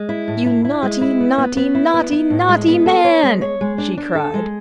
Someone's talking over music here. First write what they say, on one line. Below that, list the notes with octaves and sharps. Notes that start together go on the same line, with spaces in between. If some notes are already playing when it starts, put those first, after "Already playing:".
"You naughty, naughty, NAUGHTY, NAUGHTY man!" she cried.
Already playing: G#3
E4
A2
E4
E4
G#3
E4
B3
B3
B3
E4
B3
E4
A2
G#3
B3
A4
C#5
G#3
C#5
G#3
D4
D4
A4
G#3